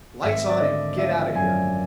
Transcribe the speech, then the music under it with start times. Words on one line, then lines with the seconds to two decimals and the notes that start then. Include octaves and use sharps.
"Lights on and get out of here!"
0.23 G#1 E5
0.49 D5
0.60 D3 D#5
0.97 F3 E5
1.35 F#2 G#5